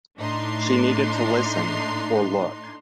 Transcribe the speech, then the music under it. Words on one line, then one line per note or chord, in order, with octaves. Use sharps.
She needed to listen "or" look.
A2 D4 D#4 C6